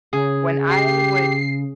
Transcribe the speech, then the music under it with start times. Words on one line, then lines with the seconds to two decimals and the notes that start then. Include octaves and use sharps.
when I would
0.13 C#3 G#4
0.70 G4 C7